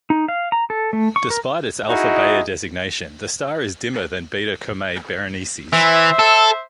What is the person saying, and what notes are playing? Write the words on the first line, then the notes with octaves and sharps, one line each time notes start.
Despite its Alpha Bayer designation, the star is dimmer than Beta Comae Berenices.
D#4
F5
A#5
A4
A3
C#6
A#4
D#4 E4 F#4 G#4 D#5
E3 C5 E5
A4